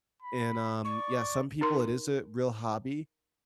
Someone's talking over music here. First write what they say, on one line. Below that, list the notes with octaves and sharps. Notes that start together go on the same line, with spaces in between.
and, um, yeah, some people it is a real hobby,
B5
D5 C#6
D#4 A#4 C6